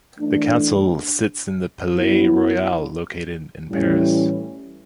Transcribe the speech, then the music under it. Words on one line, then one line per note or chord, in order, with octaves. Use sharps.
The Council sits in the Palais Royal located in Paris.
E3 A3 D4
F#3 B3 E4
A2 E3 G3 C#4 E4